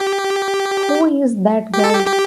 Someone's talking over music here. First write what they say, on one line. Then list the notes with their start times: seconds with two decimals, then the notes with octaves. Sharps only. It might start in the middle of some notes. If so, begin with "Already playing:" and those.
Who is that guy?
Already playing: G4
1.74 G4
1.84 A4
1.94 G4
2.07 G4